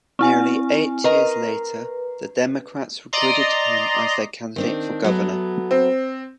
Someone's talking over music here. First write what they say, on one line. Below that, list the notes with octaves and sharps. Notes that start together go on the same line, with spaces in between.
Nearly eight years later the Democrats recruited him as their candidate for Governor.
C4 E4 G#5
A#4 B4 D#5
D5 D#5 A#5 C6
D#3 C4 D4
F#3 A3 B3
C4